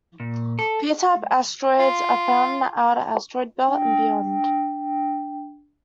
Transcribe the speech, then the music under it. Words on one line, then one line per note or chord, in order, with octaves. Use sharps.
P-type asteroids are found in the outer asteroid belt and beyond.
A#2
A4
F4
D4 G5